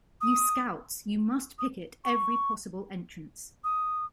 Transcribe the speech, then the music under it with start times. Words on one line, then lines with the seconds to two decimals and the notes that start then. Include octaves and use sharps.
You scouts, you must picket every possible entrance.
0.21 D#6
1.59 D#6
2.05 C#6
3.64 D#6